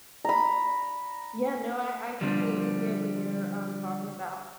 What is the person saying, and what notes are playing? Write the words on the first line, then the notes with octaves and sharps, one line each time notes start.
Yeah, no, I I completely get what you're, um, talking about.
A#5 B5
D3 F3 G3